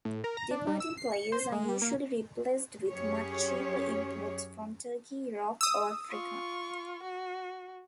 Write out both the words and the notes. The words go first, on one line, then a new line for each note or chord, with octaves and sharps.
Departing players are usually replaced with much cheaper imports from Turkey, Europe or Africa.
A2
A#4
A#5
D4
G3
E6
C7
C#7
C5
G#3
G3
A#3
F#2 C#4 G4 G#4 C#5
D#6 E6
F4 C#6
F#4